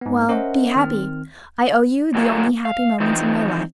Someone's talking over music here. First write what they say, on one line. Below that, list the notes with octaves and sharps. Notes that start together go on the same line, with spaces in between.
Well, be happy; I owe you the only happy moments in my life.
G#2 B3
C#4 A#4 C5 D#5 E5 F#5
D#3 C4 F6
A2 F#3 G#3 A#3 F4 A#4
F5
E3 F3 C4 D#4